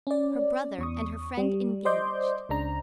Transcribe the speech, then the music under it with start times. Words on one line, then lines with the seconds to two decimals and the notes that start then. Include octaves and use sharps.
Her brother and her friend engaged!
0.07 C#4 D5
0.79 E2 C#6 D#6
1.37 G3
1.85 C5 D5 D#5 C6 D6 G6
2.49 C#2 C#3 D4 A#5